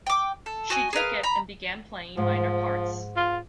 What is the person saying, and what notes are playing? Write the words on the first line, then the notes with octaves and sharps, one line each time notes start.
She took it and began playing minor parts.
G5 D6
A4
F#4 D#5 G#5
G#4 A#4 B4 F5
A#5 B5
G#2 F3
F4